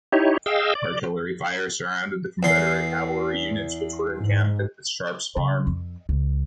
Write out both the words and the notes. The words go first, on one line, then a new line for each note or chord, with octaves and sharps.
Artillery fire routed the Confederate cavalry units, which were encamped at the Sharp's farm.
D#4 E4 G4 C#5
G#4 D#5 F5 G5 E6
D5
E2 C6
G#2
C#3
F2
C#2